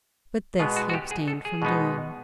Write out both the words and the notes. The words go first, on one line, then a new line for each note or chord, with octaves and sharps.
But this he abstained from doing.
B2 G#3 B3 F4
F#4
F#4
G4
G#4
A4
G#4
B2 G#3 B3 D#4